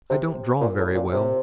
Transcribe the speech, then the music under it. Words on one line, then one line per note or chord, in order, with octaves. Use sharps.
"I don't draw very well."
C3
A#2
A2
A#2
C3